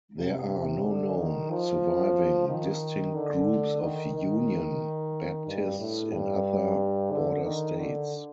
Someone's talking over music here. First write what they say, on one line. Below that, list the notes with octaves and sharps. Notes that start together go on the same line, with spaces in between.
There are no known surviving distinct groups of "Union" Baptists in other border states.
C3
D3
D#3
F3
D#3
D3
D#3
D#3
G2
A2
G2
D3
D#3
D3